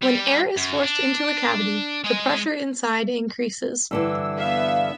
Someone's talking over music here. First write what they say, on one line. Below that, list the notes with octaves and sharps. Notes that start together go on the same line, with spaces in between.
When air is forced into a cavity, the pressure inside increases.
G3
F#2
D4
G#3 D#5
G2 D3 E3 E6
B3 E5 F5